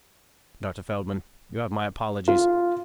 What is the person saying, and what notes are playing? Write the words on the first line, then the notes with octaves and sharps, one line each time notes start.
Dr. Feldman, you have my apologies.
F4